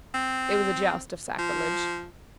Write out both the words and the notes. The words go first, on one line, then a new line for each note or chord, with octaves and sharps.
It was a joust of sacrilege.
C4
F3